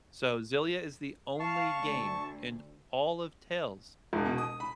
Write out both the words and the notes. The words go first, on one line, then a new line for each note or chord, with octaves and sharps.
So Xillia is the only game in all of Tales
F5 A5 C#6
D2
E1
B2
D#6
B5